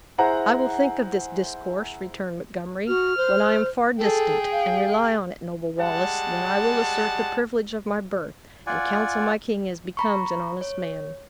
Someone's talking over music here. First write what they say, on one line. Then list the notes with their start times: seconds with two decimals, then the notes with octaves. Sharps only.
"I will think of this discourse," returned Montgomery, "when I am far distant; and rely on it, noble Wallace that I will assert the privilege of my birth, and counsel my king as becomes an honest man."
0.18 E4 G#4 C5 F#5 G#5 A#5
2.88 F#4 F6
3.17 C5
3.98 G#4 A4 G5
4.52 F5
5.79 G3 G#3 F#5 A5
8.67 F4 D5 F#5 G#5
9.97 A#5 B5 C#6
10.61 C#5